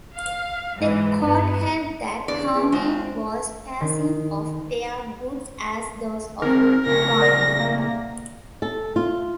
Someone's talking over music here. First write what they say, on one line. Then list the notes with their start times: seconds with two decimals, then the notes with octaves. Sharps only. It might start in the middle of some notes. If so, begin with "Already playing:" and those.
The Court held that Townend was passing off their goods as those of Warnink.
0.16 F5
0.78 G#2 E3
1.20 G2 B3
2.28 E2 C#3 D4 D5
2.53 E2
2.72 G#3 C4 C#4 F4
3.81 D#3
6.42 D#3 C4 A#4
6.86 A#2 C#3 A3 A#6
7.22 D5 F#5
7.60 A#3
8.62 A4
8.96 F4